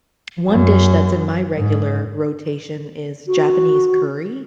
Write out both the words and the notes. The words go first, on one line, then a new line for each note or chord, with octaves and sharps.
one dish that's in my regular rotation is Japanese curry
F#2
G#2
F#4